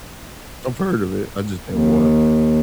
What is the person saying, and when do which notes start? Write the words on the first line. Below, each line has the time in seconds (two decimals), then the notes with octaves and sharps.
I've heard of it. I just didn't wa
1.70 D#2